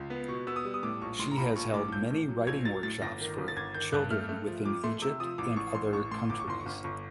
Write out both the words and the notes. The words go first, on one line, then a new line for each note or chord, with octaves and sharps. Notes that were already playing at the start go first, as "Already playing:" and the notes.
She has held many writing workshops for children within Egypt and other countries.
Already playing: C#2
B3
B2 C#6
B3 E6
D#6
G3
D#6
A2 D6
A#1 C#6
A2 C6
A#5
A#1 B5
A#1 C#6
A2 D6
A#1 G6
A2
F#3
A#1 G#6
F#3 A6
A2 A6
G1 A#6
D#3
G1
A6
G1 G#6
D#3 G6
G2 F#6
A3 F6
A3
F3
F2 D6
A3 C6
C3 E6
F3 D#6
A1 D6
A1 C#6
A1 C6
A1 C#6
A2 C6
G1 D6
C#6
G1 C6
C#6
G1
G1 C#6